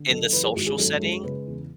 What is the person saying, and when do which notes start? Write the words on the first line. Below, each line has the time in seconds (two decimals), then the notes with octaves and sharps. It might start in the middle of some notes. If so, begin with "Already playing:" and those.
in the social setting?
Already playing: D3
0.09 F#1 A4
0.33 E3 B4
0.43 G#4
0.55 G#1 F#4
0.66 G#4
0.78 F#2 A4
1.02 G#3
1.24 C#3 B4
1.47 E2